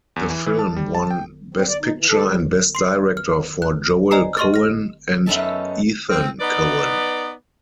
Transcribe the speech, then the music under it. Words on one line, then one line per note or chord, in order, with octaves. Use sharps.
The film won Best Picture and Best Director for Joel Coen and Ethan Coen.
E2
E3
E3
A5
G3
A5
G5
C4
D5
D#4
E3
A4
G3
C6 C7
F6
F#6
C5 D5 D#5 G#5 A#5 C7
G4 D#5 C6 C#6 F6 A6
F6 A#6
F#2 B3 C#4 D#4 A4 E5
C4
B3 D#4 B4 D5